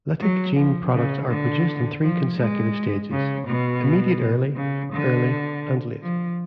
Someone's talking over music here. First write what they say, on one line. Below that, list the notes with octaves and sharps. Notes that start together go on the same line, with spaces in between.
Lytic gene products are produced in three consecutive stages: immediate-early, early, and late.
F#3
F3
C#3
D3
F3
G#3
C#3
B2
C#3
D3
F3